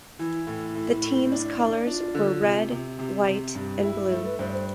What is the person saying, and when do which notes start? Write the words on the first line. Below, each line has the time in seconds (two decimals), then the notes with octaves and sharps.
The team's colors were red, white and blue.
0.19 E3 E4
0.47 A2
0.75 A2
1.03 A2
1.32 D4
1.59 D4
1.87 D4 F4
2.15 D3
2.43 C3
2.71 C3
2.99 C3 G4
3.27 C3
3.55 G2
3.83 E4
4.10 A3 A4
4.25 B4
4.39 G2 C5
4.49 D5
4.52 C5